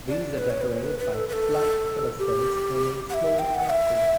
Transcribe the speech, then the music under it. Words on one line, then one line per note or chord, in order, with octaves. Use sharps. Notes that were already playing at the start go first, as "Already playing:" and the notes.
These are decorated by flat pilasters forming small arches.
D5
B4
C#5
B4
C#5
B4
B4
A4
B4
A4
G4
F#5
E5
G5
F#5
E5